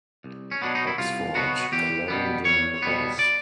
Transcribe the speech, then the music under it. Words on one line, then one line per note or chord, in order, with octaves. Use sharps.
Oxford, Clarendon Press.
C2
C#4
B2 F#3 B3 D4
D#4
E4
C2 F4
B2 F#3 B3 F#4
E2 G4
B2 G3 B3
E2 C#5
B2 G3 B3
D5